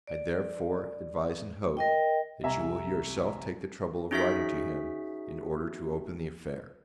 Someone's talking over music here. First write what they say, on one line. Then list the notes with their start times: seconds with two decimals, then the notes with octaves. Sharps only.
I, therefore, advise and hope, that you will yourself take the trouble of writing to him, in order to open the affair.
0.07 D5
1.77 A#4 D#5 G5
2.44 C2 E5 G#5 A#5
4.11 C#4 D#4 F#4 G#4 E5 B6